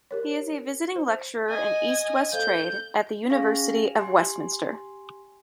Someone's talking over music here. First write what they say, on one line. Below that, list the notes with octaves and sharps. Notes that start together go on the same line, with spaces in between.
He is a visiting lecturer in East-West Trade at the University of Westminster.
G4 A#4 C#5
C5
D#5 G#5
A4 C5 F5 G6
C#4 G#4 F5 G#5 C#6 A#6
G4 G#5 C6